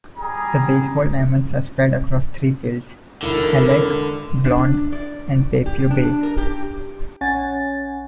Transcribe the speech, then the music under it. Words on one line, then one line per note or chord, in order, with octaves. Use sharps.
The baseball diamonds are spread across three fields: Halleck, Blonde, and Papio Bay.
G3 G#4 A#5
E1 B1 D3 E4 A#4
D4
D5
G4
D4
A#4
G4
A#1 C#4 C#5 F#5 G#5 A6